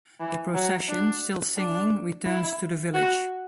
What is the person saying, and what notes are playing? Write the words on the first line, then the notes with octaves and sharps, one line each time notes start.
The procession, still singing, returns to the village.
E3
F#3
D4
D4
E4
F#4